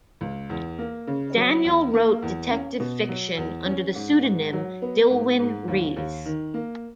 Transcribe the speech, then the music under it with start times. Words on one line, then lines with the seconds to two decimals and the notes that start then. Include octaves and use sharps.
Daniel wrote detective fiction under the pseudonym Dilwyn Rees.
0.21 C#2
0.50 E2
0.79 A#3
1.07 C#3
1.36 F#3
1.65 E2
1.94 A#3
2.22 E2
2.51 C#4
2.80 B2
3.09 F#3
3.37 E2
3.66 C#4
3.95 G#2
4.24 G#2
4.53 F#3
4.82 B3
5.10 G#2
5.39 G#2
5.68 D#2
5.96 D#2
6.26 D#3
6.54 A#3